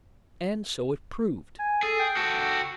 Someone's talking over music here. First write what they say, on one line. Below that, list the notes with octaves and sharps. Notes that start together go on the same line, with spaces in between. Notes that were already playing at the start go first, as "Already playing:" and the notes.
And so it proved.
G#5
G#4 A4
G5
F#4 A4